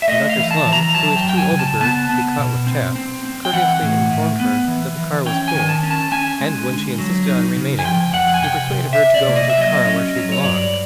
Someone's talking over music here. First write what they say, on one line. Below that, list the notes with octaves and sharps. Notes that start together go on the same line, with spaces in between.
Conductor Slum, who is too old a bird to be caught with chaff, courteously informed her that the car was full, and when she insisted on remaining, he persuaded her to go into the car where she belonged.
E5
A3 D#5
F5
E3
A5
E3
A#5
F#3 A5
G5
F#2
G5
G#5
C#3
A5
B3 A5
B3
B2
C4
C4
C4
G5
E3 F#5
A2
A2
B3
E3
E3
C#4 G5
G#5
D#3
A5
C#4
A5
C#4 G#5
G#3
D3
F#3
D#4
C#3
G#5
F3 G5
F2 F#5
G#5
C3 G5
C3
E5
C3
D5
A#3
D#5
E5
F#3 D#5
C#4
F#3
C#5
G2 D5